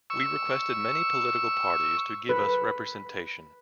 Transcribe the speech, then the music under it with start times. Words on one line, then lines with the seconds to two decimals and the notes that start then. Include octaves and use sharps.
We requested many political parties to give us representation.
0.10 C#6 E6
2.29 B4